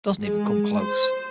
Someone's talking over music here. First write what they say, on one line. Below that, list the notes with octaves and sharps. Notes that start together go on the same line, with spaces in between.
Doesn't even come close...
G#3
C5